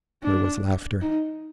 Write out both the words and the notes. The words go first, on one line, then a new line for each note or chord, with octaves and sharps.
There was laughter.
D4
D#4